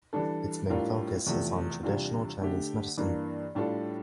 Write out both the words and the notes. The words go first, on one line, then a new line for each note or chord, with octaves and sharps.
Its main focus is on traditional Chinese medicine.
E3 G3 D4 A4
A2 G3 D4 F4 A#4
E2 C3 F3 A3
E2 C3 G3 D4 F4
D3 A3 D4 G4
G2 E3 A#3 D4
A2 G3 D4 F4 A4